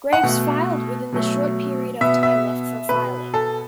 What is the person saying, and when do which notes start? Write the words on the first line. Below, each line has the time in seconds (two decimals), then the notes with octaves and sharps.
Graves filed within the short period of time left for filing.
0.13 F#5
0.23 B2 A3
1.12 B2 F#3 A3
2.01 B2 B3 E5
2.23 E5
2.89 B2 B3 B4
3.34 A4